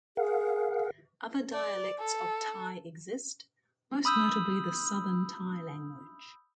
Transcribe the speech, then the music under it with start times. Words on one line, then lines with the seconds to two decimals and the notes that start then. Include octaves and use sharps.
Other dialects of Thai exist, most notably the Southern Thai language.
0.17 G#4 A#4 F5 F#5
1.53 D5
1.99 A4
4.05 B5 D#6 E6 G6